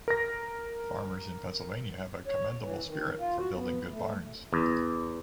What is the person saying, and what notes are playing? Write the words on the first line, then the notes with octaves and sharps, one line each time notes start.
Farmers in Pennsylvania have a commendable spirit for building good barns.
A#4 A#6
C#5
E3
D#3
F4
F#4
B3
A3
E2